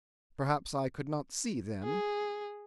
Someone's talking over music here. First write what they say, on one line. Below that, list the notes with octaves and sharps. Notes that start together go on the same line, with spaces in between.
Perhaps I could not see then.
G#4